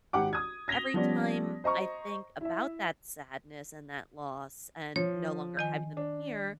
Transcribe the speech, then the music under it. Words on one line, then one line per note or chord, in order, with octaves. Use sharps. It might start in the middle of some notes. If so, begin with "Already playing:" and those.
every time I think about that sadness and that loss and no longer having them here,
G#1 G4 F#5 D6
D#6 G#6
G#6 A#6 B6 F7 G7
F3 G3 B3 C#4 D5
C5 D#5 A#5 C#6
E4 E5
F3 C#5
D#3 D#5 G#5
D4